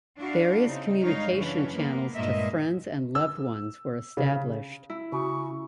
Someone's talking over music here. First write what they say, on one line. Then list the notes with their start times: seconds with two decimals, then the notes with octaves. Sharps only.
Various communication channels to friends and loved ones were established.
0.18 D4 E4 F#4 D5 F5
0.64 C#3 C4 D#4
1.01 G#2 G3 D#4 C#5 F5
1.35 F#2 C#3 E3 C#4 D4 B4
1.75 G#3 A#3 B3
2.15 G2 A#2 G#3 A#3 D#5 E5
3.15 E6
4.17 C#3
4.90 E4
5.12 C#3 F#4 C#6